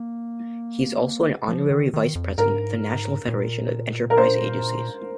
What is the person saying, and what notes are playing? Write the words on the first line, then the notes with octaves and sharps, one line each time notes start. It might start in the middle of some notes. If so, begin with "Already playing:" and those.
He is also an honorary Vice-president of the National Federation of Enterprise Agencies.
Already playing: A#3
F3
D#3
D#3
F2
G#2 A#4
A#2
A#4
C5